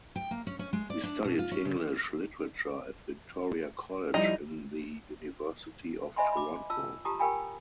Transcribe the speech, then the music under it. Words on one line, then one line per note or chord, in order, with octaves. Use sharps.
He studied English literature at Victoria College in the University of Toronto.
G5
A#3
C#4
C#4
G#3
D5
D4
B2
F4
C#4
C#3
F3 G3 D#4 E4
C5 D#5 E5 G#5 B5 C6
B5 D6
F4 A5 E6
F4 G4 A5 A#5 D#6
G4 A#4 F5 G5 G#5 B5